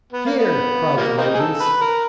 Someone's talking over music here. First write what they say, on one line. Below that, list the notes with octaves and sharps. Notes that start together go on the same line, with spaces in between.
"Hear!" cried the ladies.
B3
A#3
B3
F3 G3 A#3
A#3 C4 D#4
G#4
A4
B4
A#4